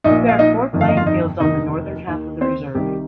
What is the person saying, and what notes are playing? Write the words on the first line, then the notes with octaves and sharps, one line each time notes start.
There are four playing fields on the northern half of the reserve.
A#1 A#2 D#4 D#5
F5
D#4 D#5
G1 F2 D#3
F5
D#5
F4 F5
D#4 D#5
F1 D#2 D#3 D#4 D#5
D#2 D#3
C4 C5
C2 C3 D#3 G3 G4